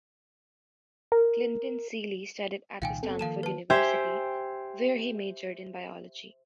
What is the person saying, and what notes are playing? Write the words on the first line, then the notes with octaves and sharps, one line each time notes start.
Clinton Seely studied at the Stanford University, where he majored in biology.
A#4
C2 A#2 D#3 F5 G5 G#5
F#1 B3 C4 A4
D#3 F3 A#3 F5 A5 E7
B4 A5
G4 C5 E5 G5 G#5